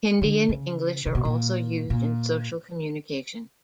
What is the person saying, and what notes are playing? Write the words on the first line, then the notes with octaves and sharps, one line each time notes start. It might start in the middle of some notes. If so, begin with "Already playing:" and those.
Hindi and English are also used in social communication.
D3
C#3
C3
B2
A#2
A#2